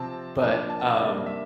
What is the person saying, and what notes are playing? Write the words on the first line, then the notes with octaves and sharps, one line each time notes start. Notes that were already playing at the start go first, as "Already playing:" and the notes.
but, um,
Already playing: C3 F3 C4 A5
F3 A#3 D4
A5
A5
D5
C3 G3 A#3 D4
E5